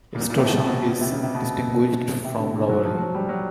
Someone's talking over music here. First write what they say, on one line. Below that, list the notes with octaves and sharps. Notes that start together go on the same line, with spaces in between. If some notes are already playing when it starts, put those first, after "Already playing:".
Extortion is distinguished from robbery.
A#2
A#2
C3
B2
C3
B2
B2
B2
C3
C#3
C3
B2
C3
D3
D3
F#3
F3
F#3
G3
F#3